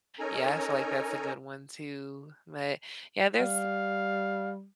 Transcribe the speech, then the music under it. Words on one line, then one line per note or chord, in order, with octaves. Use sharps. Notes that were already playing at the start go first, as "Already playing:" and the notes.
yeah, I feel like that's a good one, too, but, yeah, there's
C#4 D#4 A4 A#4 G#5 A#5
G3 F5